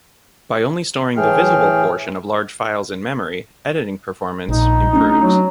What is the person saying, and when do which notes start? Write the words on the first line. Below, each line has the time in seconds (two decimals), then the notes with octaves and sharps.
By only storing the visible portion of large files in memory, editing performance improves.
1.17 A2 E3 A3 G#4 G5 F6
4.49 A#1 D#4
4.93 A3 C#4 D4
5.22 F#3